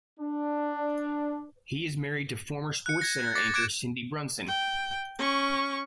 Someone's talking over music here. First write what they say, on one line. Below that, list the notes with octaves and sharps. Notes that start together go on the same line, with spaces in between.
He is married to former SportsCenter anchor Cindy Brunson.
D4
F#6 C#7
G#6 A#6
D6 A6 A#6
D6 F#6 G#6 D7 E7
G5
C#4 C#6